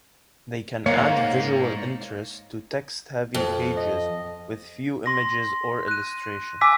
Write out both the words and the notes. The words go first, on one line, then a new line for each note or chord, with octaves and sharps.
They can add visual interest to text-heavy pages with few images or illustrations.
G#2 A#3 C#5 F5
F2
D#5
C6 A#6
F#6 D#7
G#5 D6 E6 B6